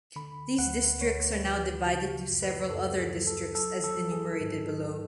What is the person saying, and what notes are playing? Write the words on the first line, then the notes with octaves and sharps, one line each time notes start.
These districts are now divided into several other districts as enumerated below.
D3 B5
D2 F#5
D2 C#5
B4
F3
C#3 F#4
F#2
B4
F#2 A4
G#4
F#3
A4
F#3 A4
A4
F#3
G#4
G#2